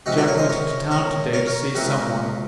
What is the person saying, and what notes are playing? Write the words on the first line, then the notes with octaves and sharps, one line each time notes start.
Jack went to town today to see some one.
C#2 C3 F3 D#4 F#4
F#4 A#4
A#4 C#5
C5 D#5
A#4 C#5
A#4 C#5
A#4 C#5
A#4 C#5
C#2 C3 F3 F#4 A#4